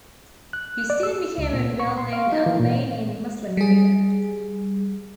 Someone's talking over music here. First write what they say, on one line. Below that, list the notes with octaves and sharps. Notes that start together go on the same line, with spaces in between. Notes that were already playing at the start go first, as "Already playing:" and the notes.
He soon became a well-known Albanian Muslim figure.
F#6
D5
E6
C#2
A#2
C#6
C6
F5
D#4
E3
A#2
G3 G#4